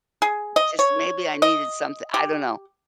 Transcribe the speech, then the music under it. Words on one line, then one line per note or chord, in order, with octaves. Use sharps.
just, maybe I needed something I don't know.
G#4
D#5
C#5
D#5
G4